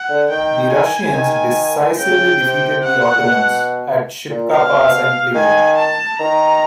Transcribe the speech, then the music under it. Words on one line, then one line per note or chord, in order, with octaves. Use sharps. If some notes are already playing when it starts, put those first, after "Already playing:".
The Russians decisively defeated the Ottomans at Shipka Pass and Pleven.
Already playing: F#5
D3
D#3 G5
G#5
D#3
C#3 G5
C3
F#5
A#2
B2
A#2
B2 F5
D#3 G#5
A5
D#3 A#5